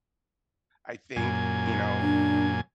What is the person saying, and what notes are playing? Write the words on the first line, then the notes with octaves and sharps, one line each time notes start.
I think, you know,
F#2 A#2 G#5
D4